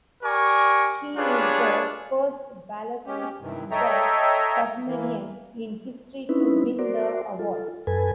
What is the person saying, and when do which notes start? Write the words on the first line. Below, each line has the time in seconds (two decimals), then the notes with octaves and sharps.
She is the first ballistic missile submarine in history to win the award.
0.23 G4 A#4 D5 G#5 C#6
1.16 D4 F4 G4 G#4 B4 C#5
3.06 G#3 C#4 G4
3.41 G2 C3 D#3 E3
3.71 A4 C#5 D#5 E5 G5 A#5
4.87 E3 A#3
6.29 C4 C#4 D#4 E4 B4
6.79 F#4 A#4 C5 D5
7.39 F4 A4
7.87 F#2 A4 B4 G#5